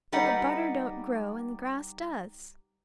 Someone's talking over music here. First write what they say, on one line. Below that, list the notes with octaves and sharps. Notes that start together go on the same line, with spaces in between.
But the butter don't grow, and the grass does.
G3 D#4 B4 D#5 F#5